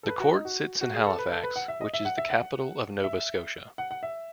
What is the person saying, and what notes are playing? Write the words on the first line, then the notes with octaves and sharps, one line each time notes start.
The court sits in Halifax, which is the capital of Nova Scotia.
A4
B4
F#4
D#4
F#4
F#4
G#4
A4
B4
A4
B4
F#5
E5
D#5
E5
F#5
E5
F#5
E5
F#5
F#5
E5